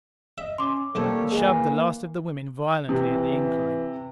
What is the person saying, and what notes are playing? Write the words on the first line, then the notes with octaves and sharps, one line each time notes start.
He shoved the last of the women violently at the incline.
D#5 E5
C#4 C6 D6
B1 G3 A3 A#3 A4 C5 C#5
E3 G#3
C3 E3